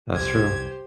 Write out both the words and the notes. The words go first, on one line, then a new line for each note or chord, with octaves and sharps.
That's true.
F1 C2 G4 C5 G#6